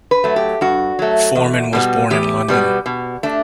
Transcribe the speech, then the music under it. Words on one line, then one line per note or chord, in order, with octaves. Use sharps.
Foreman was born in London.
B4
F#3 A3
G4
G2 F#4
F#3 A3
E2
B2 G3 B3
E2 G4
B2 G3 B3
B2
A3 D4